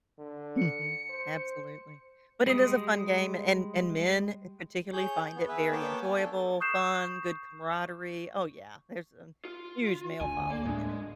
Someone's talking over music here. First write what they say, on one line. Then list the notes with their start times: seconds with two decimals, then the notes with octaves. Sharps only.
Mhm, absolutely. But, it is a fun game, and and men, particularly, find it very enjoyable, fun, good camaraderie Oh, yeah, there's a huge male following in it.
0.18 D3
0.58 C#7
1.10 C5
2.46 G3 G#3 D#6
4.93 G#4 C#5 G6
5.36 B3
5.48 G#4 B4 E5
5.72 A#3 B3 C#5 G5 A5 D6
6.02 G#5
6.19 D4 A4
6.60 C#6 D#6 F#6 G6 C7 E7
9.45 F4
10.21 D2 D3 G#5
10.50 A#3
10.66 A2 G#3 D4